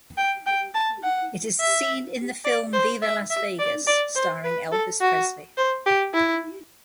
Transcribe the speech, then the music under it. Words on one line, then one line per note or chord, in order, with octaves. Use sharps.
It is seen in the film "Viva Las Vegas" starring Elvis Presley.
G5
G5
A5
F#5
E5
D5
C5
E5
E5
D5
D5
C5
B4
A4
F#4
C5
G4
E4